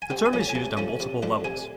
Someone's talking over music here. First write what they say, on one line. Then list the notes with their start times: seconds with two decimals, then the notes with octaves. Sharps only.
The term is used on multiple levels.
0.02 G#5
0.10 C3 G5
0.26 G#5
0.33 F3 A3 C#4
0.41 A5
0.49 G#5
0.55 C3 A5
0.77 F3 A3 C#4
1.00 C3
1.23 F3 A3 D4
1.44 C3 G#5